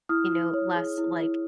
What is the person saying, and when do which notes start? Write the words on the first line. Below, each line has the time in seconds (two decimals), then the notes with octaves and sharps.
you know, less, like,
0.09 E4 D#6 F6
0.32 E4
0.53 C#5
0.75 G#4
0.98 E4
1.20 E4